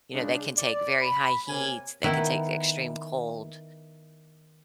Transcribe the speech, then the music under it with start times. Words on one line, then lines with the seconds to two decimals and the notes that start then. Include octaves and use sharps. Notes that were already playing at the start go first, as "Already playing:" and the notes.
You know, they can take very high heat, they can take extreme cold.
0.13 C#3 G#3 D4
0.57 D5
1.00 B5
1.47 C3 A#3 C#5 G#5
2.04 D#3 B3 E4 B4